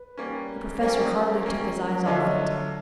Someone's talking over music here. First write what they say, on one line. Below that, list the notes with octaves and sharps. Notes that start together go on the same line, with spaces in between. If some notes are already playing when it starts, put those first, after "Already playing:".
The Professor hardly took his eyes off it.
Already playing: B4
G3 A#3 C#4
G3 A#3 C#4 A#4 C5
G3 A#3 C#4
D3 F#3 A3 D4 F4 D#5 F5
C#5 D#5